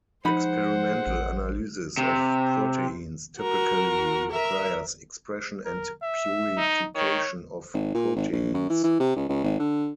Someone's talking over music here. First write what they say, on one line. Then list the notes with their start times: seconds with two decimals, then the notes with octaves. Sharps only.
Experimental analysis of proteins typically requires expression and purification of proteins.
0.25 F3 G#3 D#4 C5 F#5 B5
1.07 A1
1.97 C3
3.40 F#4 A#4
4.31 A#4 E5
5.65 A#4
6.02 E5
6.57 D#4
6.95 D#3 C#5
7.74 G#1
7.95 A#2
8.16 G#1
8.32 A#1
8.54 F#2
8.70 E3
8.84 E3
9.00 C3
9.16 C#2
9.29 C#2
9.44 G#1
9.59 D3